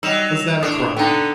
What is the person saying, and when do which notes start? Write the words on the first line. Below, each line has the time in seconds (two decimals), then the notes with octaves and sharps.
Was that a crime?
0.03 F#3 G3 D#4 E6 E7 F7
0.63 A2 D4 D#6
0.97 D3 B3 D#4 G5